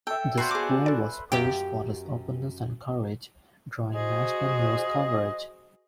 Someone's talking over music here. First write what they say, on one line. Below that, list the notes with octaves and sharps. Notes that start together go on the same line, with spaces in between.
The school was praised for its openness and courage, drawing national news coverage.
A4 E5 G5
B3 D4 F#4 B4 C5 C7
G#4 D6
A4 D5
F#2 G4
F#4 G#4 C5 D#5